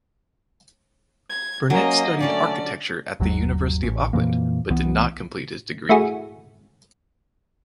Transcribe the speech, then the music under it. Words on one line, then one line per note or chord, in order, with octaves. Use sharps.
Burnett studied architecture at the University of Auckland but did not complete his degree.
G#6
F#3 A#3 C#4 A#4 D#5
D3 A3 C#4 A4 D5 G#5
G1 D#2 F#3
A1
F2 A#2 E3 A#3
C2 E3 B3
A3 E4 F#4 G#4